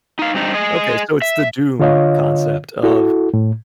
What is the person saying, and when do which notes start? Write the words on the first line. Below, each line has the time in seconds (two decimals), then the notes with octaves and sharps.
Okay, so it's the doom concept of,
0.19 D#4 F5
0.34 G2 C4 D#4
0.54 G#4 D#5
1.22 E5
1.80 D3 F4 C#5 D#5 F5
2.83 E4 F#4 A4
3.34 A2